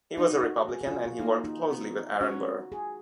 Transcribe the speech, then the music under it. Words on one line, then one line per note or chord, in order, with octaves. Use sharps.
He was a Republican and he worked closely with Aaron Burr.
D#4 F#4
F#4
G#4
G#4
F4
F#4
F4
A#3 D#4
D#4
B3
C#4 F#4
G#4